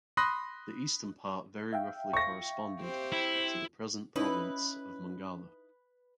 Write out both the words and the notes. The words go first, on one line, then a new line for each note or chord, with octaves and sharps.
The eastern part very roughly corresponded to the present province of Mongala.
B5 C6 D#6 F#6 A#6
E5 F5 G5
C#6 A#6
C4 G4 C5
E4
C#4 D#4 E4 B4